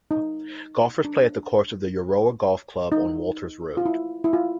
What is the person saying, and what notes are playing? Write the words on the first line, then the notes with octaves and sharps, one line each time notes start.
Golfers play at the course of the Euroa Golf Club on Walters Road.
D#4
D4
D#4
F4
E4
E4
F4